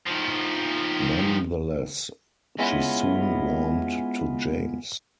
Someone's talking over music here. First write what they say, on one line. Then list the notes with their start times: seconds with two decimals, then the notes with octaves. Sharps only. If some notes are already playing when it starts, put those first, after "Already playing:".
Nonetheless, she soon warmed to James.
0.07 D#3 F3
2.59 G#3 B3 C#4 E4 F4